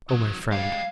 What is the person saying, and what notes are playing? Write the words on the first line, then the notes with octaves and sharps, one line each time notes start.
Oh, my friend!
D#3 F#3
G3 G#3 F5